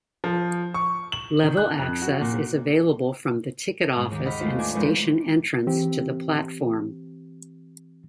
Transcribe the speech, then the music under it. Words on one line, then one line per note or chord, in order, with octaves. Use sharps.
Level access is available from the ticket office and station entrance to the platform.
F3
C#6
F#7
D#3
F#6
F2
F#4
A#2
G#2
D#2
D#5 F#5 B5 F6
G#3 A3 F4 C5
A#3 D4 G#5
B1 E2 G#3 B4
E3 C4 G4